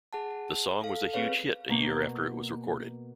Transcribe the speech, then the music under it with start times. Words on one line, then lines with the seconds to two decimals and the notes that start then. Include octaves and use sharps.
The song was a huge hit a year after it was recorded.
0.13 G#4 F#5 A5
0.81 A4 F5
1.13 C4 G#4 B4 C#5 F5
1.69 B2 A#3